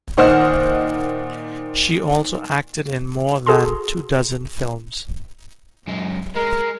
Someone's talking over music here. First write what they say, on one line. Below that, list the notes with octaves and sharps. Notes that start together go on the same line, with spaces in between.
She also acted in more than two dozen films.
A#2 D#3 C5 D#5 F#5 F6
F#4 G#4 A4 A5 A#5 C6
F#2 G#3
G#3 A#4